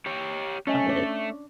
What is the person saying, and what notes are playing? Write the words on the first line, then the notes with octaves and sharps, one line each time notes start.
of it.
G4 C#5
A3 C#4 C#5 D#5 G#5
D4